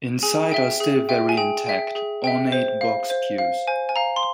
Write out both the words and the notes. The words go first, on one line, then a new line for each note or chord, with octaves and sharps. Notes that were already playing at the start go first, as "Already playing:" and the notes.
Inside are still very intact, ornate box pews.
G#4 G#5
E5 G5
G#4
E5 G5
G#5
G#4 G5
E5 G5
G#4
E5 G5
C5
F5
C5
F5
C5 G#5
G#5
F5 A#5
C6